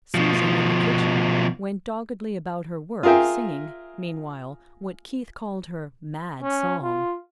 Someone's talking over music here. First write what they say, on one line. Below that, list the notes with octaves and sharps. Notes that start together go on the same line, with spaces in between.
Susan, in the kitchen, went doggedly about her work, singing, meanwhile, what Keith called her "mad" song.
B2 F3
F4 G#4 A#4 E5 G5
C#4
F4